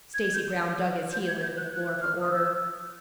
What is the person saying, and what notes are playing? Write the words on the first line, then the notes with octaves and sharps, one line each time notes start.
Stacy Brown dug his heel into the floor for order.
G#6
G6
G6
G#6
G6
F#6
F#6
F6
D#6
E6